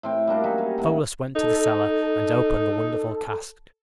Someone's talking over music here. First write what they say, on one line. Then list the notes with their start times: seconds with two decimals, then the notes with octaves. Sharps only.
Pholus went to the cellar and opened the wonderful cask.
0.03 A2 C4 G5
0.27 G3 A#3 D4 F#4
0.44 F#3 C#4 D#4 E5
0.58 G3 G#4 F5
0.78 A2 F#3 F#5
1.35 D#4 A4